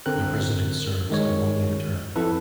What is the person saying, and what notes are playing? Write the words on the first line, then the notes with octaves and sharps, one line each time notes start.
The President serves a one-year term.
D3 C4 A#4 F#6
D#3 G#3 C#5
F2 E4 A4 B4